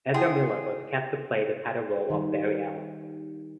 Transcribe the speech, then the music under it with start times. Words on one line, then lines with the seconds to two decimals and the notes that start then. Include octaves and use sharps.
Ezra Miller was cast to play the title role of Barry Allen.
0.14 E4 G#4 F#5 G5 C6
2.10 D#3 G3